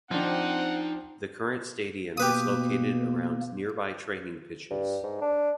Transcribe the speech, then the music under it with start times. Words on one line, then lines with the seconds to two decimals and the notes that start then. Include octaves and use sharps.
The current stadium is located around nearby training pitches.
0.11 F3 C4 D4 D#4 F#5
2.17 B2 A#3 G4 B4 D#6
4.70 G2
5.03 G#2
5.21 D4